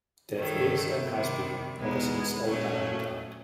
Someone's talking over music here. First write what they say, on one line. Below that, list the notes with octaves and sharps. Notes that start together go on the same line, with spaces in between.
Death is and has been ever since old Maui died.
G2 D#3 F#3 A3
C3 D#3 G3
E2 B2 G#3 B3 D#4
A#2 F#3 A3 C#4